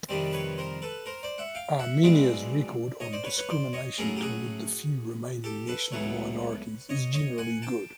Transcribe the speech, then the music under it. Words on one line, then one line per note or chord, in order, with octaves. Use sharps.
Armenia's record on discrimination toward the few remaining national minorities is generally good.
F2 C3 D#3 G3 C4 C5 D5
B4 C#5
A#4 C5
A4 B4
A#4 C5
C5 D5
E5 F#5
F5 G5
E5 F#5
B1 B2 G#3 C4 D5 E5
C#5 D#5
C5 D5
B4 C#5
B4 C#5
C5 D5
C#5 D#5
A2 F#3 A3 C#4 G#4 A#4
G4
F#4 G#4
G4 A4
A4 B4
C#2 B2 F#3 A3 B4 C#5
C#5 D#5
C#5 D#5
F#5 G#5
G5 A5